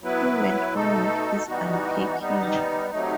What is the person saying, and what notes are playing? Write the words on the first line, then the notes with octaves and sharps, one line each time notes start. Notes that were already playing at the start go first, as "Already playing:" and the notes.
He went on with his unpacking.
F#3 B3 E4 B4
B2 A3 D#4 A4
E3 G3 B3 D#4 F#4
G3 B3 D#4
C3 F#3 A3 D#4